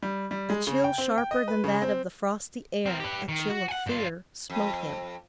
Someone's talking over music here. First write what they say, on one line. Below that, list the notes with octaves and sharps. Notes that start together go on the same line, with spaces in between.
A chill sharper than that of the frosty air--a chill of fear--smote him.
G3
G3
G#3
C#3
G5
C4
G5
D#5
B4
C#3
C4
C4 A#4
G4 B4
D#3
F#4
F#5 G#5
G2 F4
F2